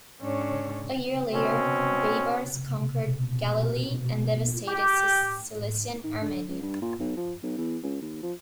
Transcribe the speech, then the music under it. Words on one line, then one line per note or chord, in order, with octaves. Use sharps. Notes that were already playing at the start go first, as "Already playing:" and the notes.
A year later, Baibars conquered Galilee and devastated Cilician Armenia.
G#2 C#4 D4 C#5
B2 C4 C#4
G4
D#3
D3
C#2
G2
A#2
B1
F3
B1
E2
C#2
D#2
F3